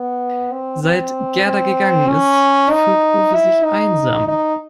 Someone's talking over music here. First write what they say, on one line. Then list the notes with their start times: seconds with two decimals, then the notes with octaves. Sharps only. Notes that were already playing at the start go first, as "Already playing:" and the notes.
Seit Gerda gegangen ist, fühlt Uwe sich einsam.
Already playing: B3
0.52 C4
0.84 C4
1.46 C4
2.09 C#4
2.71 D#4
3.33 E4
3.64 D#4
4.28 D#4